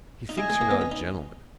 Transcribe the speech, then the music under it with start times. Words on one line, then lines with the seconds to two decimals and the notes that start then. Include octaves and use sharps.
He thinks you're not a gentleman.
0.29 D#4
0.37 E4 G#4 D#5 G#5
0.50 G#3
0.61 A#3
0.71 B3
0.81 C#4
0.92 D#4